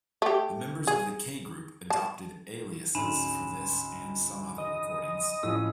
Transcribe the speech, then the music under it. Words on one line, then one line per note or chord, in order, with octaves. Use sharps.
The members of the K Group adopted aliases for this and some other recordings.
A3 G4
G#4
A5
D2 G#2 C#4 G#5 B5 E7
D#5
A2 F3 C#4 E6